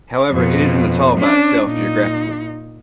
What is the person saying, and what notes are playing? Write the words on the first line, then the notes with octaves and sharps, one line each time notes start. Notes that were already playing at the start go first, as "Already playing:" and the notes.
However it is an atoll by itself geographically.
F2 B2
C#4 D4
A#2 D#4